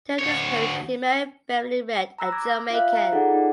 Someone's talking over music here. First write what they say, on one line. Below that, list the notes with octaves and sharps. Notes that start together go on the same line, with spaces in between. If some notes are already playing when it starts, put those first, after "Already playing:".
During this period he married Beverley Reid, a Jamaican.
D2 C#5
A#5 B5 E6 F#6 A#6
D6 G#6 A#6
F4 E5 F5 F#6
A#5
D#4 F4 G#4 A4 D5 F#5
D#4 D5